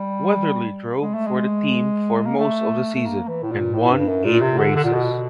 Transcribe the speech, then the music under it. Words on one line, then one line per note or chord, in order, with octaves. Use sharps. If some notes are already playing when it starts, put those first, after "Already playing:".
Weatherly drove for the team for most of the season, and won eight races.
Already playing: G3
G#3
A3
G#3
A#3
A3
A3
A#3
E3
A2
A#2
A2
G2
F#2
A#2
C3
D3
D3
A#2
B2